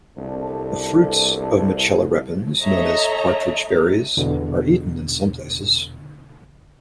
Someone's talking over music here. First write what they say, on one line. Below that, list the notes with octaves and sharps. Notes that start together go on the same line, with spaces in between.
The fruits of "Mitchella repens", known as partridge berries, are eaten in some places.
C2 B2 D4 A4
A4 C#5 D#5 E5 A#5
E2 B2 D3